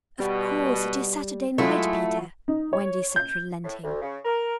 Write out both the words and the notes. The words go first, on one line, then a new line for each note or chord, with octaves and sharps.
'Of course it is Saturday night, Peter,' Wendy said, relenting.
B2 G3
F#3 G#3 A3 E4 F4
D#4
C#5
G6
A2
D2
C#3
A#4